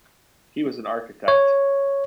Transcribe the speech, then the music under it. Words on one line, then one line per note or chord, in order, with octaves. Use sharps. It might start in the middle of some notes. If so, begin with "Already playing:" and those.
He was an architect.
C#5